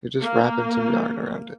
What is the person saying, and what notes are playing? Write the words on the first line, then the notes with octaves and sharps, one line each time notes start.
you're just wrapping some yarn around it,
A#3